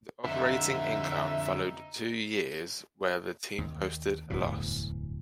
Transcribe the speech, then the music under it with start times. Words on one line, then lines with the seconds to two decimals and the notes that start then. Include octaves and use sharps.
The operating income followed two years where the team posted a loss.
0.25 F2 D3 D#4 E5
3.58 D#2
4.30 D1 E2 G2 B2